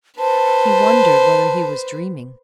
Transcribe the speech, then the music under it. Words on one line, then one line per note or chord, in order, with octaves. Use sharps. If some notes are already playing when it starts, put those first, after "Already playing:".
He wondered whether he was dreaming.
B4 C5 A5